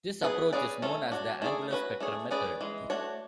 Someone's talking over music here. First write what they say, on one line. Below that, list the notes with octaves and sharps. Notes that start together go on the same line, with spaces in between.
This approach is known as the Angular spectrum method.
B3 E4 G#4 B4
C#4 G#4 B4 D5
A3 C#4 E4 A4
D4 F#4 C#5
A3 E4 G#4 D5
C#4 F#4 B4
A3 D4 G#4 C#5
C#4 G#4 B4 D5
E3 G#3
A3 D4 F#4 C#5